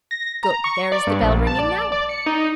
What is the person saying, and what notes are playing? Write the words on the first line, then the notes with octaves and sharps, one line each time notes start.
Good! there is the bell ringing now.
A#6
A#5
C#6
D5
G2
A#1
A5
D5
D5
C#7
D#4